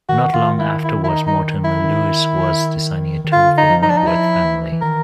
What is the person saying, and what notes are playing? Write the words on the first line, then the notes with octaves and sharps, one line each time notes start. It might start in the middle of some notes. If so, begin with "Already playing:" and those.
Not long afterwards, Mortimer Lewis was designing a tomb for the Wentworth family.
D#3 F#4
D#3 F4
E4
E4
E4
D#4
D#4
E4
D#3
D#3
D3 F4
D#4
F3
D#4
D4
D#4
F3 E4
E3
E3
D#3 A#4